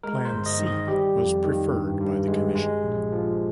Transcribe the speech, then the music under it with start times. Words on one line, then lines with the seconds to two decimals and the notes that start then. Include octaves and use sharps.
Plan C was preferred by the commission.
0.03 G#3 A#4
0.25 C5
0.32 G1
0.46 D#5
0.59 D#3
0.67 D#5
0.88 G3 G4
1.16 F2
1.44 D#3
1.72 G2
2.00 G2
2.27 G#3
2.55 G#3
2.83 A#1
3.12 F3